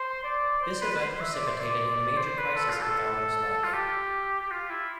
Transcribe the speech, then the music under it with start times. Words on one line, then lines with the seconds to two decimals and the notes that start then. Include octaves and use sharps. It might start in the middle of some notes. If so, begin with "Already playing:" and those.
This event precipitated a major crisis in Gaughan's life.
Already playing: C5
0.24 D5
0.62 C5
0.82 B4
0.92 B4
1.02 C5
1.21 E5
1.34 D5
1.47 C5
1.61 D5
2.17 C5
2.38 B4
2.56 A4
2.70 F4
2.82 A4
3.64 F4
3.73 G4
4.41 G4
4.51 F4
4.69 E4